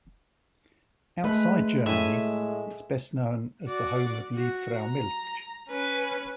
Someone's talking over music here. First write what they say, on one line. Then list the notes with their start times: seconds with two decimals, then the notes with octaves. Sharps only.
Outside Germany, it is best known as the home of Liebfraumilch.
1.24 G#3 A3 B4
1.86 A2 E5 G#5
3.64 F#4 D5
4.34 F#4
4.77 A#5
5.69 C#4 B4